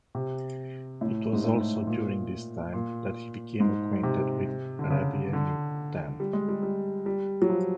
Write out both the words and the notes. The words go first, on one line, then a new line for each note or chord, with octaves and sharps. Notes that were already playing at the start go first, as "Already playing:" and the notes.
It was also during this time that he became acquainted with Rabbeinu Tam.
C3
A2
G#2
A2
A#2
A#2
G#2
C3
D3
C#3
D3
G3
G#3
G3
G3
G3
F#3
F3